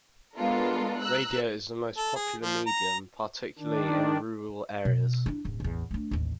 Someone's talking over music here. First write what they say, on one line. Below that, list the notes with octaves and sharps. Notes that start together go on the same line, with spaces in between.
Radio is the most popular medium, particularly in rural areas.
G#3 B3 D4 F4 A4 A#4
A#5 E6 F#6
A4
G#4
F3
A#5
D#3 D4
B2
D4 E4
D1 F#2
A1 E2
A3 D4
A1 D#2